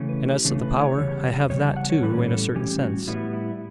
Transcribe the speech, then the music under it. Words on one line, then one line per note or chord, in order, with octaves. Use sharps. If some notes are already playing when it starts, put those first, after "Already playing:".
And as to the power, I have that, too, in a certain sense.
Already playing: C#3 E3 A3 C#4
B4
G4
C#3 E3 A3 C#4 D4
B4
C#5
E2 C#3 G3
E2 C#3 G3 C#5
A5
F#5
C#5
A2 E3 G3 C#4 B4
A4
A2 E3 G3 C#4 G4
F#4
A2 G3 B3 E4
E4